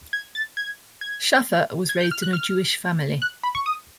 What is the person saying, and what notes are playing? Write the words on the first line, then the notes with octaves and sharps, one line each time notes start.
Shaffer was raised in a Jewish family.
G#6
A6
G#6
G#6
G#6
G6
F6
F#6
F6
F#6
B5
C#6
D#6